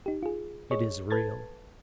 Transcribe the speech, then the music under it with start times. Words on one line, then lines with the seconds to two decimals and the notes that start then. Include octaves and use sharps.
"It is real."
0.06 D#4 G4
0.23 F4 G#4
0.71 G#4 C#5 D#5 C#6
1.10 A4 B4 A5 G#6 A6